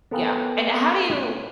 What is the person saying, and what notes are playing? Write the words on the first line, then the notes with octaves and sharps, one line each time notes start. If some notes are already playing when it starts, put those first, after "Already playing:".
Yeah, and how do you
B3 A4 A#4 F5 G5 G#5